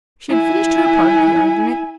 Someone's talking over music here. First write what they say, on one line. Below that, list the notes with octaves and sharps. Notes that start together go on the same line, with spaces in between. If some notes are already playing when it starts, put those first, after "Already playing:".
She had finished her part of the argument.
E4 G#5